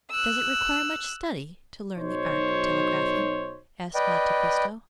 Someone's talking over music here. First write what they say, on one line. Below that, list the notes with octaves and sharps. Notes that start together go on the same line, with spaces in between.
"Does it require much study to learn the art of telegraphing?" asked Monte Cristo.
E6 F#6
B1 F#3 D#4 C5 C#5
B4 D5 D#5 G5